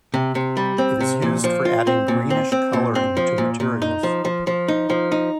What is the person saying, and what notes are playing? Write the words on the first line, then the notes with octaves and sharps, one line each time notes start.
It is used for adding greenish coloring to materials.
C3
C3
G3
C4
C3
A#2
F3
F4
C4
A#2
C4
C4
A#2
C4
F3
A#2
A#2
D#4
F3
F3
F3
D#4
F3
D#4